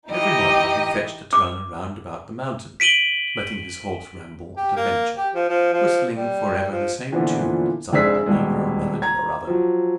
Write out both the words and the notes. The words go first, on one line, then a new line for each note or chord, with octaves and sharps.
Every morning he fetched a turn round about the mountain, letting his horse ramble at a venture, whistling forever the same tune, some negro melody or other.
E3 D#4 G4 D#5
D6
B6 D7 D#7 F#7 G7
G4
A#3
G4
F3
F3
F3
G3
F3
A#2 D3 E3 F3 B3
F1 G#2 D4 G#4 E6 B6
D#1 B2 G3 G#3
A#5 G#6
F3 F#3